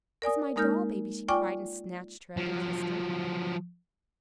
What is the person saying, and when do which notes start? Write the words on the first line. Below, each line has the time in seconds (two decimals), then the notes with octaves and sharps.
"It's my doll-baby!" she cried, and snatched her up and kissed her.
0.22 A#4 D5 G#5 D#6
0.56 G#3 A#3 D#4 A#4 F6 G6
1.28 F4 D5 G5 G#5 C#6 D6
2.37 F3 F#3